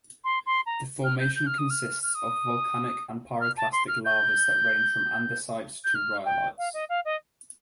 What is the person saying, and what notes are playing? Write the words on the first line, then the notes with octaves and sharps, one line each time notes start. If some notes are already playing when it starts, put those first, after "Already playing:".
The formation consists of volcanic and pyroclastic lavas that range from andesites to rhyolites.
C6
C6
A#5
F6
G6
G6
F6
D#6
F6
F6
D#6
F6
A5
C6
F6
G6
G6
F6
G5
F5
D#5
F5
D#5